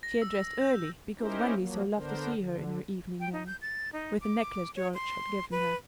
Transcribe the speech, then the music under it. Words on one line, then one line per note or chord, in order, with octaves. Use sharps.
She had dressed early because Wendy so loved to see her in her evening-gown, with the necklace George had given her.
A#6
E6
G6
C#4 D#4 E4 G4 A#4 C5
F3 F#3 A#3
D3 B3 D4 A#4 C5
D3
G5
D#4
G6
A6
D#4
D6
C#5
C6
B4